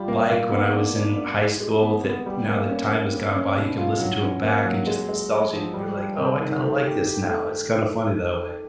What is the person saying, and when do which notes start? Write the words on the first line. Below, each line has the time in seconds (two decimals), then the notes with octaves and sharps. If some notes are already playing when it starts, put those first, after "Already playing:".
like when I was in high school that now that time has gone by, you can listen to 'em back and just the nostalgia, you're like, "Oh, I kinda like this now." It's kinda funny that way.
Already playing: G3 F4
0.08 A#3
0.29 A#3
0.51 B3
0.74 D4
0.95 D4
1.16 D4
1.39 G#3
1.60 G#3
1.82 B3
2.04 B3
2.26 G3
2.48 A#3
2.69 C#4
2.92 A#3
3.13 C#4
3.35 C#4
3.56 B2
3.78 F4
4.00 F#3
4.22 C#4
4.43 A#3
4.65 F#3
4.87 G#3
5.09 G#3
5.30 G#3
5.53 F3
5.74 G3
5.96 G3
6.18 C3
6.40 D#3
6.62 A3
6.83 G4
7.05 G4
7.27 A3